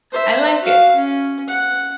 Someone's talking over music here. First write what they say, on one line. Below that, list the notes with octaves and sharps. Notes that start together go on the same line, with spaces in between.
I like it.
C5 E5
F#4 F5
C#4
F#5